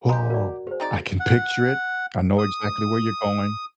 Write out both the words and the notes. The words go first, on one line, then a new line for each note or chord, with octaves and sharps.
Oh, I can picture it, I know exactly where you're going,
G#3 G4 A#5
F#4 A#4 D5
G#4 B4 C5
C4 D#4 D5
F#5
D#6